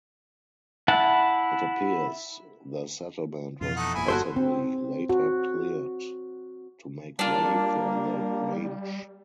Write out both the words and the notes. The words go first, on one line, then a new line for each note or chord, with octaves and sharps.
It appears the settlement was possibly later cleared to make way for the grange.
E4 F#5 A5
F2 B2 E3 F4
A3 D#4 F#5
F#1 E2 A#2 E4 G#5
G1 G2 B3 F#4 A4 C5
C4
F#4
G3 A#3 D4 F4